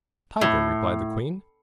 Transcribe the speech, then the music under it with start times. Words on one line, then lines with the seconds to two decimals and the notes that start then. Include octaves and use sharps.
'Tiger?' replied the queen.
0.41 A2